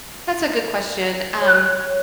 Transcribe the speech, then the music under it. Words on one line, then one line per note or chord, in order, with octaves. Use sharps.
That's a good question, um
C#5